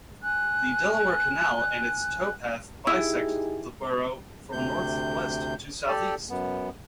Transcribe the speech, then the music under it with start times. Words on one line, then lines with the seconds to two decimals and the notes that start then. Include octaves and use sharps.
The Delaware Canal and its towpath bisect the borough from northwest to southeast.
0.23 G#5 F#6
2.87 D#4 E4 G4 G#4
4.52 D2 C3 G6
5.88 G4 A4 D5
6.30 F#2 B3